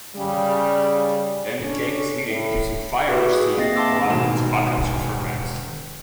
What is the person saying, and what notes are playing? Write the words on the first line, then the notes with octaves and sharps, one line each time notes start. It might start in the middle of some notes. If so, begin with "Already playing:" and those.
Then the cake is heated using fire or steam, allowing the tobacco to ferment.
C#3 G3
C#4 D4 A4 C#5
A2
F#4 G4 B4 E5
G#4
A#3 C4 D#5 A6 A#6 C7
E5 F5 A5 C6 D6 E6
E1 E2 D#3 E7